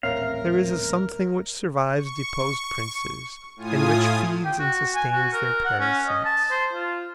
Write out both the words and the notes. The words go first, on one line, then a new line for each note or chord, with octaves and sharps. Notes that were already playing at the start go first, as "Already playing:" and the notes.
There is a something which survives deposed princes, and which feeds and sustains their parasites.
D#1 A1 C4 A#4 C#5 E5 F5
C#6
A2 F4 G#5 D#6
G5
F#4
G#5
F#4
A#4
F#5
C#4
D#5
A5
C5
F4